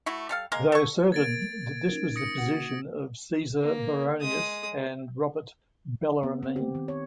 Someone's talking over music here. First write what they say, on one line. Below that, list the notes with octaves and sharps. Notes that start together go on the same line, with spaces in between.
They asserted that this was the position of Caesar Baronius and Robert Bellarmine.
A3 E4 F#4
G3 A4 F5
G#3 A#3 A#4
A4 C#6
A#3 A#4 G#6 A6 D7
C#4 D#4 A#4
D#6 A#6 C#7
A#3 F#4 F#5
A#3
G#3 D#6
B3
C4
G4
D#3
C#5